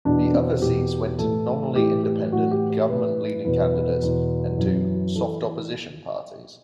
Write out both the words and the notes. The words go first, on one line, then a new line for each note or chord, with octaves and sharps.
The other seats went to nominally independent, government-leaning candidates, and to "soft opposition" parties.
E2 B2 D4
C4
E2 B2 G4
A2 E3 A4
A2 E3 G4
G4
A2 E3 F#4
G4
G4
A2 E3 B4
E2 B2 B4
B4
E2 B2
F#2 E3
E3 A4